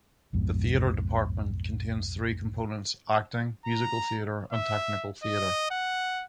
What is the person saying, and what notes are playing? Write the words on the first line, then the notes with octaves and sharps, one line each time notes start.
The theatre department contains three components: Acting, Musical Theatre and Technical Theatre.
B1 F2 G#2 B2
A#5
E5
D#5
F#5